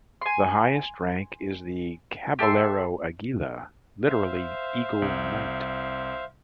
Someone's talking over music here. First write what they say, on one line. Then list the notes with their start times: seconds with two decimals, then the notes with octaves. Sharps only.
The highest rank is the "Caballero Aguila", literally "Eagle Knight".
0.22 G#5 C6
2.39 G4 A4 E5 C6
4.07 C5 E5 F5
5.02 C2